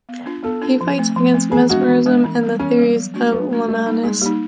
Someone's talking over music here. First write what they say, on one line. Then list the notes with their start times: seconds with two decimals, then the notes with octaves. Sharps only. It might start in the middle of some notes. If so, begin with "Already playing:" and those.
He fights against mesmerism and the theories of Lamennais.
0.09 B3
0.26 D4 F4
0.44 B3 A4
0.61 D4 F4
0.81 F3
0.98 A3 C4
1.16 F3
1.34 A3 C4
1.51 E3 G#4
1.69 G#3 B3 D4 F#4
1.88 E3
2.06 G#3 B3 D4
2.24 E3
2.43 G3 B3
2.59 E3 C#4
2.79 G3 B3
2.96 F#3
3.14 A3 D4 F#4
3.32 F#3 B3
3.50 A3 D4 F#4
3.68 G3 A3
3.86 A#3 D#4
4.03 G3 G#3
4.21 G3 A#3
4.26 D#4